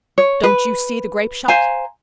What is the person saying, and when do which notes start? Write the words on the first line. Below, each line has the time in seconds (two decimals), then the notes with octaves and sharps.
"Don't you see the grape-shot?"
0.18 C#5
0.43 B4
1.48 C5 F5 G#5 A#5